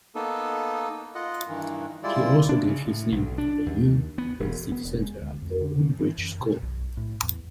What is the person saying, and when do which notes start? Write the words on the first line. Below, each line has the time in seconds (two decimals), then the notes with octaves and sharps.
He also gave his name to the new "Belstead Centre" at Woodbridge School.
0.15 A#3 B3 D#4 A4
1.15 F4 D#5 F#5
1.48 G2 D#3 E3
2.03 G3 G#3 E4 F4 D5
2.49 D4
2.67 C#3
2.87 A2
3.12 B1
3.38 D4
3.66 D#2
4.18 B3
4.39 E1
4.72 B3
4.85 E1
5.02 G#3
5.21 D2
5.42 F2
5.61 D3
5.99 E3
6.18 F#2
6.40 B2
6.63 B1
6.97 A2
7.22 E2